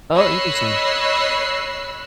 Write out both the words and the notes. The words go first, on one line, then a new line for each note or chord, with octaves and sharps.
Oh, interesting.
C#5 D#5 B5 E6 F#6 C7